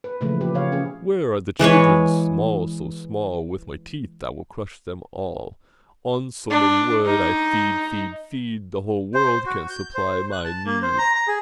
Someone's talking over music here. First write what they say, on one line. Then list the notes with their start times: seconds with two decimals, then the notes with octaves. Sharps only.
"Where are the children small, so small, With my teeth I will crush them all, On so many would I feed, feed, feed. The whole world can't supply my need."
0.04 B4
0.21 A#2 C#3 E3 F3 A3 B4
0.41 F3 G4 B4
0.54 C#3 C#5 F5
0.72 C#4 G#4
1.59 E3 G#3 B4 C#5
6.50 D4
7.06 D#4
9.14 C5
9.46 F#4
9.70 G6
9.95 C5
10.32 F#6
10.45 A5
10.66 A#3
10.82 C5
10.98 A#5
11.15 A#5
11.28 G#4